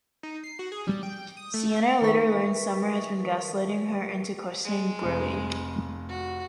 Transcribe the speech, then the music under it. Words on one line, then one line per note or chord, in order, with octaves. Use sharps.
Sienna later learns Summer has been gaslighting her into questioning Brody.
D#4
C7
F#4
G#4
G3
G5
D#6
A3
D#3 A#4 B4 E5 C#6 B6
G#3
F1 F2 C3
F#4